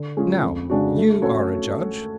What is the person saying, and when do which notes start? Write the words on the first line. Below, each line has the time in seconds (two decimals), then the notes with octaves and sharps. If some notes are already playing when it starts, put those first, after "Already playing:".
Now, you are a judge!
Already playing: D3
0.17 G#3 C#4 F4 G#4
0.44 F2
0.70 C#3 G#3 D4 F#4
0.97 A3
1.22 C#4 F#4 A4 C#5